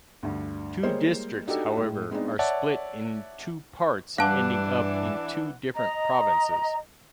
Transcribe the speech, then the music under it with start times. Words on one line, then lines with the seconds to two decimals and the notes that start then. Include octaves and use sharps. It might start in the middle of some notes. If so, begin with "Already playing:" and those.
Two districts however are split in two parts ending up in two different provinces.
0.23 D2 G2
0.83 G3 G#3 A#3 C5 C#5 D#5
1.47 D4 D#4 F#4 G4 A4
1.77 A2 G#3
2.11 G#3 B3 C4 D4 D#4
2.39 C#5 D5 E5 F#5 A5
4.18 G2 E3 D4 F5 F#5 A5 D6
5.76 D#5 A#5